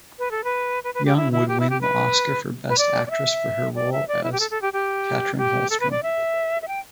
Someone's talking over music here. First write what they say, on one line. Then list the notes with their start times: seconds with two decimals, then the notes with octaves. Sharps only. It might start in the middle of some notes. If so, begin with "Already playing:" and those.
Young would win the Oscar for Best Actress for her role as Katrin Holstrom.
0.19 B4
0.31 A4
0.44 B4
0.84 B4
0.94 B4
1.06 G4
1.17 E4
1.32 E4
1.48 G4
1.60 E4
1.70 G4
1.81 B4
2.69 B4
2.78 D5
3.07 D5
3.10 E5
3.75 D5
3.92 E5
4.08 D5
4.24 E4
4.32 G4
4.40 A4
4.51 A4
4.62 G4
4.73 G4
5.38 G4
5.70 A4
5.80 B4
5.91 D5
6.03 E5
6.62 E5
6.68 G5